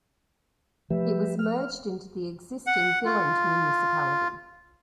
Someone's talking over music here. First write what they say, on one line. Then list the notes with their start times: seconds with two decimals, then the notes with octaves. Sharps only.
It was merged into the existing Billund municipality.
0.90 F3 A3 G4 B4 E5
1.39 F6
2.67 F#5
3.06 F4